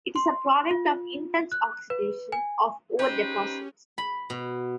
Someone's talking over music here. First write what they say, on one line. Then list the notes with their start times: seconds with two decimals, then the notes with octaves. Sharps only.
It is a product of intense oxidation of ore deposits.
0.16 C6
0.71 F4
1.52 F#6
1.90 B4
2.32 G#5
2.99 C#4 D#4 G4 B4 C5
3.98 B5
4.30 B2